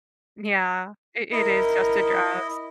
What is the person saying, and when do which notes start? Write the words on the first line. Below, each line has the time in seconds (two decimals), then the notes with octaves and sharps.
Yeah. I it is just a dress.
1.33 E4 A#4 D#5